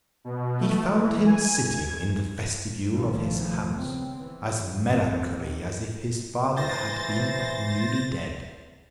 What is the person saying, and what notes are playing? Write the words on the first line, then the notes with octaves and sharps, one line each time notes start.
He found him sitting in the vestibule of his house, as melancholy as if his father had been but newly dead.
B2
A3
E3
G#5
G#6
C2 B2 D#3 F3 A3
C#3 B3 C4
E3
A#1 A#2 E3 C4
E3 C5 A6 A#6